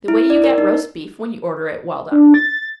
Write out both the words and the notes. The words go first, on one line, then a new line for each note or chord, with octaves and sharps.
The way you get roast beef when you order it well done.
E4
D5
A#4
D#4
D4
A6